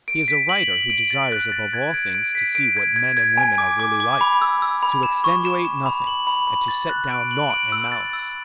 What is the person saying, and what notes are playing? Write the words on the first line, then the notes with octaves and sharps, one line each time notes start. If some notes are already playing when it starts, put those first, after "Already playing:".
He is a writer who desires above all things to see what men and women are really like--to extenuate nothing and to set down naught in malice.
D7
B6
F#7
F#7
D7
A6
F#6
A6
G#6
D7
D7
B6
D7
G#6
G#6
G#6
G#5
D6
D6
D6
B5
E6
E6
B5
E7
C#6
E7
E7
B5
F#7
B5
B5
A6
F#6
D7
F#7
D7
E6
A6
E6